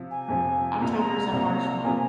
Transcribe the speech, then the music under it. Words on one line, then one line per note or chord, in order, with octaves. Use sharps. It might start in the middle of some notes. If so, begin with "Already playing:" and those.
Octobers a harsh month.
Already playing: C3 F3
G#5
F2 C3 F3
C2 C3 F3 A#3 A#5
A#5
C2 C3 F3 A#3 A#5
C3 F3 A#3 G#5